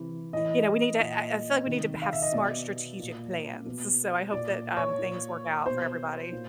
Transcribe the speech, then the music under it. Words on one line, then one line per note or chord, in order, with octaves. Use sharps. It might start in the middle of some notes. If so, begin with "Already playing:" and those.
you know, we need to I I feel like we need to b have smart strategic plans. S so I hope that, um, things work out for everybody.
Already playing: C3 E3
A2 E3 D#5
A#2
C3 D#3
F5
E5
D#5
B2 D5
A#2
B2
A#2 D5
C#5
A#2
B2 C5
A#2